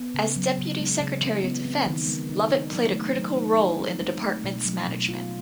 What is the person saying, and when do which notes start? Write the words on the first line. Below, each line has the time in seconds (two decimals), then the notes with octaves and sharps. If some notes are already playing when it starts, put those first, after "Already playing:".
As deputy secretary of defense, Lovett played a critical role in the department's management.
Already playing: B3
0.14 C#3
0.36 F#3
0.58 C#3
0.79 G#3
1.00 C#3
1.22 E3
1.43 B3
1.65 C4
1.86 D#3
2.07 G#3
2.29 D#4
2.50 D4
2.72 F#3
2.93 A3
3.16 F#3
3.37 D#4
3.58 G#3
3.79 C4
4.02 G#3
4.23 A3
4.44 B2
4.65 F#3
4.87 B2
5.08 F4